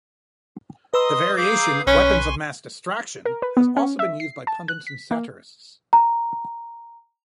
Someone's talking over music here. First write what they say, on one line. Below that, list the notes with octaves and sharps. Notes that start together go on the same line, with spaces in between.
The variation Weapons of Mass Distraction has also been used by pundits and satirists.
B4 D#5 A#5 C6 D#6 E6
G#4 F5 D6 G6
B1 C#4 B4 G#5 C6 C#6
A#4
B4
B3
C#4
E5
C7
A5
F#6
B6
A#3
A#5